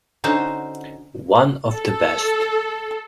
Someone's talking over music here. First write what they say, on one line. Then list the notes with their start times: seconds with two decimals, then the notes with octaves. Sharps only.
One of the best.
0.24 D3 C#4 D#4 F#4 C5
1.73 A4